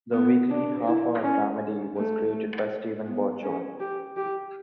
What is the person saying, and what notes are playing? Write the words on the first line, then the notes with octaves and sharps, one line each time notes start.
The weekly, half-hour dramedy was created by Steven Bochco.
B3
D4
E4
C#4
A3
B3
C#4
G4
G4